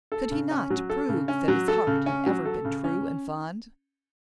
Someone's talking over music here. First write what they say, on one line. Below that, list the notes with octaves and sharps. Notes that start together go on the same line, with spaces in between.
Could he not prove that his heart had ever been true and fond?
A4
C#3
C#4
F#3
A4
C#3
C#4
F#3
A4
C#3
C#4
F#3
A4
C#3
C#4